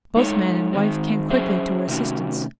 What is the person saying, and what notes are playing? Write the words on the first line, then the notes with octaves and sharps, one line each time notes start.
Both man and wife came quickly to her assistance.
G#3 D#4 A4 C#5
D#3 G#3 C4
F#3 C#4 G#4 C5 E5
C3 D#3 A3 C#4 F#4